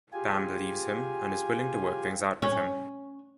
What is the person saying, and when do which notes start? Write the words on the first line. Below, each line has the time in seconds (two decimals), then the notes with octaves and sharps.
Pam believes him, and is willing to work things out with him.
0.13 F4 G4 G#4 G#5
2.42 C#4